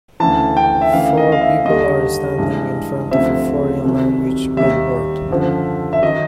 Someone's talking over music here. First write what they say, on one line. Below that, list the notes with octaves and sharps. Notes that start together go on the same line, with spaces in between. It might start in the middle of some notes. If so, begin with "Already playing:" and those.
Four people are standing in front of a foreign language billboard.
D2 C#3 E3 A5
G5
E5
D2 C#3 E3 F5
D#5
F5
E5
D#2 D3 G3 D#5
G2 E3 G#3
D2 C3 F3 E5
C2 C3 D#3 F#3
D#2 D#3 G3 E5
F#2 D3 F3
E5
D#3 F#3 D#5